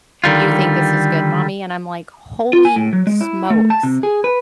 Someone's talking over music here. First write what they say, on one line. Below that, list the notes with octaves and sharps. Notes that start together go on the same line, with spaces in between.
"Do you think this is good, mommy?" And I'm like, "Holy smokes.
D3 D#3 G3 F4
F4
G#5
A2
F#3
G#3
E4
A3
A5
C3
G#4
B4